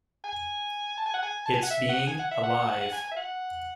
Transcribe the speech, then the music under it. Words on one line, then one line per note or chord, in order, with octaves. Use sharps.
It's being alive.
G#5
A5
G#5
F#5
G#5
A5
G#5
F#5
E5
F#5
G#5
F#5
E5
F#5
F#5
G#5
G#5
E5
F#5